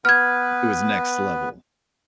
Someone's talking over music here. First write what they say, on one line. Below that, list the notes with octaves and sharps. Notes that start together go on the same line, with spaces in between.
it was next level,
B3 B4 F6 G#6